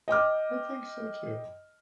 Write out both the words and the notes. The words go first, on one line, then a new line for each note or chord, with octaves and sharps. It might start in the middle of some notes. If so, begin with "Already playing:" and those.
I think so too.
D#5 G5 D6 F6